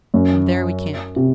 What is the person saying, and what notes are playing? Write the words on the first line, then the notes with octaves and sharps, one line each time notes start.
And there we camped.
F#2
C3